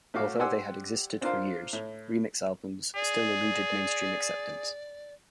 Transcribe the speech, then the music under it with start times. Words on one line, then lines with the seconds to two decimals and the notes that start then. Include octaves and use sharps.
Although they had existed for years, remix albums still eluded mainstream acceptance.
0.14 A2 A3 F#4 F5 D6
0.39 G4 C5 D5 F#5 G#5 E6
1.21 C4 D4 F4 A#4 C5 F5
1.73 A2
2.95 G#4 D5